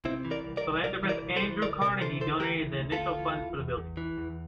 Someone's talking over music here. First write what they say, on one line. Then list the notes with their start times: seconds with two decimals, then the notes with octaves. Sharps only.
Philanthropist Andrew Carnegie donated the initial funds for the building.
0.05 C3 C4 E4
0.25 E3
0.31 A#4 D5
0.44 C2
0.57 A#4 D5
0.64 C2
0.83 C2 A#4 D5
1.03 E3
1.09 A#4 D5
1.22 C2
1.36 A4 C5
1.43 E3
1.61 D2 A#4 D5
1.81 C3 A#4 D5
2.01 E3 A4 C5
2.21 D2 A4 C5
2.40 E3 G4 A#4
2.59 D2
2.80 D2
2.92 F4 A4
3.00 D2
3.19 E3
3.38 E2
3.58 E2
3.78 E2
3.97 E3
4.18 E2